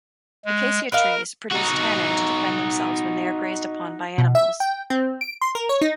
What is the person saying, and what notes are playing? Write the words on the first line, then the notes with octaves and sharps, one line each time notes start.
Acacia trees produce tannin to defend themselves when they are grazed upon by animals.
G#3
A#4 B4 D#5 F5
D#4 F#4
B2
E5
G5
C4
D7
C6
A#4
C#5
D#4